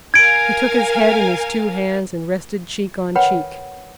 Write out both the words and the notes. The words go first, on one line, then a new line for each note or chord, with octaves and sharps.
He took his head in his two hands and rested cheek on cheek.
A#4 F5 G#5 G#6 D7
A#4 B4 C#5 F#5 G5 B5